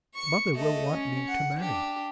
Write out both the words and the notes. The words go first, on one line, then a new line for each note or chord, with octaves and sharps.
'Mother will want me to marry.'
C#6 C#7
A3 D#5
C#4
F#5
D4 G4